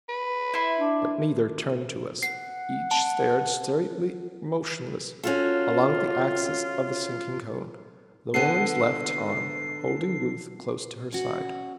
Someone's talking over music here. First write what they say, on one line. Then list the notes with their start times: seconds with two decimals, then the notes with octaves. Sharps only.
But neither turned to us; each stared straightly, motionless along the axis of the sinking cone, the woman's left arm holding Ruth close to her side.
0.09 B4
0.54 E4 C6
0.79 D4
2.23 F#5 C7
2.91 A5
5.23 C#4 F4 F#4 A4
8.34 D3 B3 C7
11.12 C#4 F#4